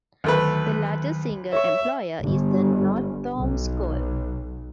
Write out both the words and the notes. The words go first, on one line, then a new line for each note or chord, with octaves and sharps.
The largest single employer is the Northome School.
D2 D#3 F#3 A3 B4
C#5 E5 C#6
G1
B1